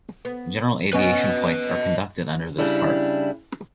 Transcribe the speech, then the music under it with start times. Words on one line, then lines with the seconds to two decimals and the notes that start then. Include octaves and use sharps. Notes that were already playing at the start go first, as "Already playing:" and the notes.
General aviation flights are conducted under this part.
0.25 B3
0.93 B3 C#4 B4 D#5
2.58 C#3 G3 D4 E4